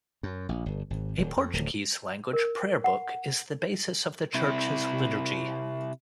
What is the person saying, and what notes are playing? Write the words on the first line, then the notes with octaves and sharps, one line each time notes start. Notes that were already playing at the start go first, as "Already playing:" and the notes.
A Portuguese language Prayer Book is the basis of the Church's liturgy.
F#2
A#1
G1
G#1
D#1
F2
D1
A#4
F#5
C3 E4